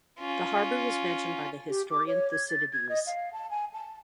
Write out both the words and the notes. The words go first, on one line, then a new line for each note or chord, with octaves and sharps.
The harbour was mentioned by the historian Thucydides.
C#4 F4
G4
D6
C#5
G#6
A6
G#6
D#5
F5
A5
G#5
A5